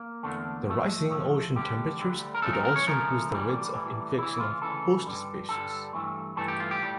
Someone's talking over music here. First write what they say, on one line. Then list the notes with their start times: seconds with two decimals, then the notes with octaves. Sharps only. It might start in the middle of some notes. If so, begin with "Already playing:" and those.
The rising ocean temperatures could also increase the rates of infection of host species.
Already playing: A#3
0.23 E2 D3 A3
0.68 A2 F3 A3
1.11 A2 F3 A3
1.56 D2 D3 G3 G4
1.99 D2 D3 G3
2.34 A#4
2.42 C#2 C#3 F3 A3 A4
2.53 A#4
2.65 A#4
2.76 C#5
2.87 C#2 C#3 F3 A3 A#4
3.31 A2 E3 G3
3.74 A2 E3 G3
4.18 D2 C#3 E3 E4
4.40 F4
4.62 D2 C#3 E3 A4
5.06 G2 D3 G3
5.49 G2 D3 G3 A4
5.93 G2 E3 A3
6.37 G2 E3 A3 A4
6.48 G4
6.60 F4
6.71 G4
6.81 A2 G3